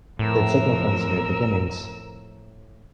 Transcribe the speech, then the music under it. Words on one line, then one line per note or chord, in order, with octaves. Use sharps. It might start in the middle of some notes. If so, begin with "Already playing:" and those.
It signifies new beginnings.
F2 A2 A#4 E6